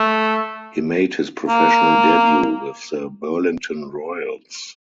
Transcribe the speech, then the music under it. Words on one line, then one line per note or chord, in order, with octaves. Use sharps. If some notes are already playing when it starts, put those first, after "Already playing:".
He made his professional debut with the Burlington Royals.
Already playing: A3
A#3